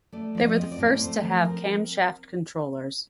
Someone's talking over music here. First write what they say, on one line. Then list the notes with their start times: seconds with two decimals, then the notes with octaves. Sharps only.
They were the first to have camshaft controllers.
0.12 A3 D5
0.35 F3 D5
0.42 D#5
0.57 C4
0.72 D5
0.78 A2
1.01 A3 C5
1.23 F3
1.45 C4 A#4